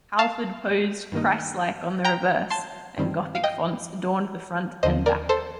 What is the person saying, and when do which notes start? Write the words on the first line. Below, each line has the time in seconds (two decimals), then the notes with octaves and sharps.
Halford posed Christ-like on the reverse, and Gothic fonts adorned the front and back.
0.19 F5 A5
1.12 G2 D#3 A#3 D#4
2.05 G5 A#5
2.50 A5 C6
2.97 G2 D#3 G3 C4
3.35 F5
3.44 D#5 G5
4.83 D#2 D3 F3 C5 D#5
5.06 A#4 D5
5.29 A4 C5